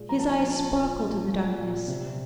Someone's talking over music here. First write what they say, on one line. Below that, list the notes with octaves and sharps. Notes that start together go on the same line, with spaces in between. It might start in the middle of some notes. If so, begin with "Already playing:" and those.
His eyes sparkled in the darkness.
Already playing: A#2 G#3
F3 A#5
A5
G#5
F3 A5
A#2
A#2
A#2
A#2
C3